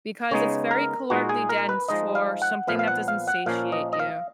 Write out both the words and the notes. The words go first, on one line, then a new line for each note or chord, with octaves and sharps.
because it's very calorically dense for something that doesn't satiate you.
C#3 G#3 B3 D#4 C#5
A#4
A#2 G#3 D#4 F#4
G#4
A#4
B4
F3 G#3 D#4 D#5
F5
F#5
A#2 F3 B3 F5
F5
F#5
F5
F#5
A#2 F3 A#3 C#4 F5
D#5
D#5
F5